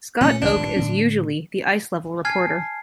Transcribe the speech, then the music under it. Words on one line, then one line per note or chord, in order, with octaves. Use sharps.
Scott Oake is usually the ice-level reporter.
A#2 A3 C#4
C#2 A2 F3 D4
G#1 G2 A#2
A2 D3 C#4
G#5 A5 F6 G#6 C7